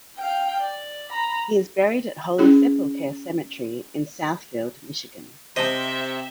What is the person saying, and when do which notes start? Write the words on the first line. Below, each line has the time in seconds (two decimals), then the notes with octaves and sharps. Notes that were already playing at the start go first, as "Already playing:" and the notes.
He is buried at Holy Sepulchre Cemetery in Southfield, Michigan.
0.18 F5 G5
0.60 D5
1.10 A#5 B5
2.38 C#4 E4 G#4
5.56 C3 C5 D#5 E5 A5